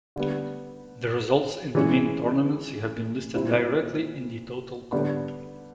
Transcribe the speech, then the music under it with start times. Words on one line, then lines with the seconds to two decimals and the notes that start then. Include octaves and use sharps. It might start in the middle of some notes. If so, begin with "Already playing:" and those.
The results in the main tournaments have been listed directly in the total column.
0.16 D3 G3 B3
1.75 E3 G#3 C#4
3.34 A#2 G3 C4 E4
4.92 D3 G3 B3